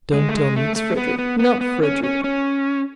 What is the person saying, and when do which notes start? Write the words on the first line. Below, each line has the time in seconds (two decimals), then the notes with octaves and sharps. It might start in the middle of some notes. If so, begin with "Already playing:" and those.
Don't tell me it is Frederick--not Frederick.
0.13 G#3
0.29 A3
0.34 G#3
0.56 A3
0.76 A3
0.97 B3
1.19 B3
1.39 B3
1.61 B3
1.83 C#4
2.03 C#4
2.24 C#4